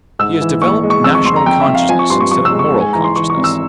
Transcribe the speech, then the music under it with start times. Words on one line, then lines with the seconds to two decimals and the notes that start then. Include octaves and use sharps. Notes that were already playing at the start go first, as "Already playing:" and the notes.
He has developed national consciousness instead of moral consciousness.
0.19 G#2 E6
0.41 E3
0.62 A#1 C#6
0.83 G#3
0.90 C#6
1.04 F2 E6
1.15 C#6
1.25 F2 C6
1.36 A#5
1.46 F2 G5
1.61 E5
1.68 F2
1.75 F5
1.89 F3 G#5
1.99 C#6
2.10 G2 C6
2.21 C#6
2.31 F3 C#6
2.45 E6
2.52 G#3
2.59 C#6
2.74 G#2
2.80 G#5
2.93 E3 A#5
3.04 C6
3.16 E3 C#6
3.30 C#6
3.37 G#1
3.44 E6